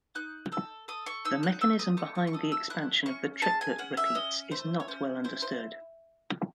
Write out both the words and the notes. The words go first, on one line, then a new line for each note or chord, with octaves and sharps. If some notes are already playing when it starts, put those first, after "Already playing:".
The mechanism behind the expansion of the triplet repeats is not well understood.
D#4 F#6
A4 E6
A4 D#6
C#6
D#4 E6
F#6
A3 E6
D#6
A3 C#6
C#6
C#6
A4 D#6
E6
E4 F#6
C#4 C#6
G#4 A5
G#5
C#4 F#5
E5
C#4 D#5
A3 C5
C#5
C#4 C5
E4 C5
C5